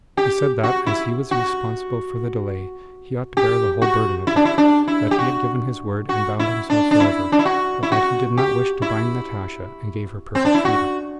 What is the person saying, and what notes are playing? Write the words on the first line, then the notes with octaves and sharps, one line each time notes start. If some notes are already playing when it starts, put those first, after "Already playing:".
He said that as he was responsible for the delay he ought to bear the whole burden of it; that he had given his word and bound himself forever, but that he did not wish to bind Natasha and gave her perfect freedom.
G4
F#4
E4
F#4
G4
F#4
E4
D4
E4
D4
E4
G4
F#4
F#4
E4
D4
D4
E4
D4
E4
F#4
E4
F#4
G4
E4
C4
D4
E4
F#4